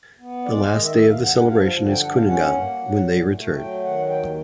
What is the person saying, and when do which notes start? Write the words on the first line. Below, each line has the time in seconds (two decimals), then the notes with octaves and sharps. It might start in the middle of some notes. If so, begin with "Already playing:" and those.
The last day of the celebration is Kuningan, when they return.
0.19 B3
0.45 G#3 D5
0.71 D#3 D#5
0.84 E5
0.97 D#2 E5
1.10 F5
1.23 G2 F#5
1.36 F#5
1.49 F3 F5
1.63 F5
1.76 D3
1.88 G5
2.01 G2 F#5
2.15 F5
2.27 C#4 F#5
2.54 A#3
2.79 F#3
3.05 A#2
3.32 A3
3.57 F#3 G5
3.84 D#3 F#5
4.09 D#2 G5